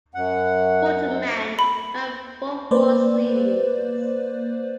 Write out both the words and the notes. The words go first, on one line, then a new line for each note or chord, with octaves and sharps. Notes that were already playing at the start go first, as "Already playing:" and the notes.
"Button Man" ran for four series.
F#2 F#5
B5
A#3 B4 C5 D5